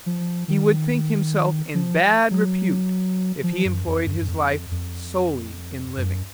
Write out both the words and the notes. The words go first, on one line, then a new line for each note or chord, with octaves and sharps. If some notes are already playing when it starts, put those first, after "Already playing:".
He would think himself in bad repute if he employed his life solely in living.
F3
D#3
F3
F#3
F3
F#2
F2
F#2
F#2
F2
F2
F#2